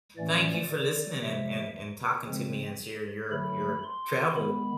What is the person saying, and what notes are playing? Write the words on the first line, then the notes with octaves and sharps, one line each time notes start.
Thank you for listening and and and talking to me and sharing your your travel
A2 E3 A3 C#4 D5
D5
C3 F3 G#3 E5
C#3 F3 G#3 C4
D3 F#3 A3 B5
C6
D#3 G#3 B3 B5